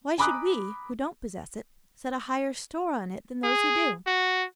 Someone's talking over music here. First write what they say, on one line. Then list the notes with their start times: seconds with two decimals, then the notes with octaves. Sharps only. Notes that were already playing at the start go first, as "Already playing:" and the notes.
Why should we, who don't possess it, set a higher store on it than those who do?
0.18 G#5 A#5 B5 D6 D#6 F#6
3.44 G#4
4.07 F#4